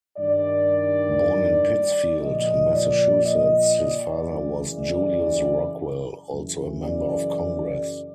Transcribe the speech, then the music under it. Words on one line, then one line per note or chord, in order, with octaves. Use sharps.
Born in Pittsfield, Massachusetts, his father was Julius Rockwell, also a member of Congress.
G2 D#3 D5
A#2 F3 D#5
D5
D#5
D5
F#2 C#3 E3
D5
F#2 C#3 E3
D5